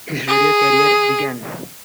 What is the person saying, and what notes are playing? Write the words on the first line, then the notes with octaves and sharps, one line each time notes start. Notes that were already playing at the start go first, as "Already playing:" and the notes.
His radio career began.
G#4